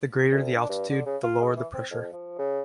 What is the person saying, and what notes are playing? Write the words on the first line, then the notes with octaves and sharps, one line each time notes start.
The greater the altitude, the lower the pressure.
D2
D4
G2
D3
C#3
F4
G#3
E3
C4
F2
F3
C#3